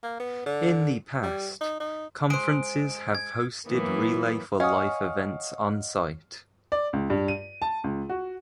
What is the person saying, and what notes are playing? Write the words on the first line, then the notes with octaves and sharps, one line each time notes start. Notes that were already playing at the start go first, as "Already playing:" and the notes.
In the past, conferences have hosted Relay for Life events on site.
A#3
B3
D3
G3
D#4
D#4
G#3 C5 D7
G#6
E3 F#3 A#3 B3 E4
C#4 D#5 F5 F#5 D#6
D5
C#2
G2
D#7
A5
C#2
F#4